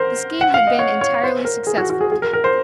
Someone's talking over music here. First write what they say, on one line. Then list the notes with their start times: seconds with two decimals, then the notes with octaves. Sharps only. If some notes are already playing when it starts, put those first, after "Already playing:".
The scheme had been entirely successful.
Already playing: A#4 C5
0.41 F#5
0.54 F5
0.67 D#5
0.79 C#5
1.01 C#5
1.24 C5
1.45 A#4
1.67 G#4
1.78 F#4
1.90 F#4
2.01 G#4
2.12 G#4
2.22 A#4
2.33 A#4
2.44 C5